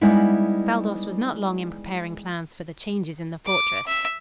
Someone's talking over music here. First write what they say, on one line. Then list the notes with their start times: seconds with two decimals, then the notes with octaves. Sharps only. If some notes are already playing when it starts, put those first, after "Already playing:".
Baldos was not long in preparing plans for the changes in the fortress.
0.01 G3 G#3 B3 D#4 E4
3.45 D6
3.87 E5